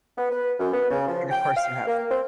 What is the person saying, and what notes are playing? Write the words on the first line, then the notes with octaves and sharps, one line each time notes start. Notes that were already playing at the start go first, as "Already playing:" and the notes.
and, of course, you have
B3
B4
F#2
B3
C#3
F3
G5
F5
A#3
C4